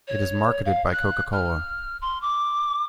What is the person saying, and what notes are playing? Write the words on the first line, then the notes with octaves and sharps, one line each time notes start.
It is marketed by Coca-Cola.
C#5
F5
F#6
F6
C6
D6